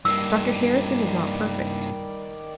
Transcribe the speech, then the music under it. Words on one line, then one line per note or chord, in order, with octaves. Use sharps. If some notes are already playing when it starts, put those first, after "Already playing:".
Dr Harrison is not perfect.
G2 D#3 G3 A#3 D5 E6